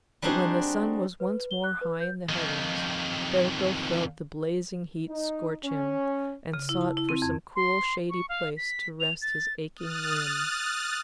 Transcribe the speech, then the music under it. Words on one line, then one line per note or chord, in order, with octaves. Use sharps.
But when the sun was once more high in the heavens, Ferko felt the blazing heat scorch him, and sought for some cool shady place to rest his aching limbs.
G3 C4 D4 D#4 F#4 G#4
B4
G7
F#6
B4
G6
F2 D#3
D#4
C#4
C#3
E4
A5
E4
C4
F2
C6
C#6
F5
B6
F7
A6
D#6 F6 F#6 A6